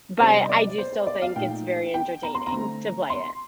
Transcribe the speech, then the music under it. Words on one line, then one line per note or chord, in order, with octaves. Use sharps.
but I do still think it's very entertaining to play it.
C3 G3 D4 C5
D#5
D5
C5
C5
D5
F5
A#2 A3 D#4 G5
G5
A#5
C6
A#5
D3 A3 C4
C6